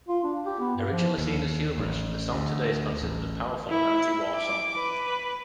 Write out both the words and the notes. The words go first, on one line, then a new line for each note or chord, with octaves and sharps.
Originally seen as humorous, the song today is considered a powerful anti-war song.
F4
D4
G4
B3
G2
F3
D#2
A1
D2
A1
E4 E5
D6
B4